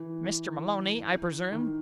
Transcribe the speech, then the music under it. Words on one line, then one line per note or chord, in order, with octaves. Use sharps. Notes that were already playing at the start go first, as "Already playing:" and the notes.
"Mr. Maloney, I presume?"
Already playing: E3
D#3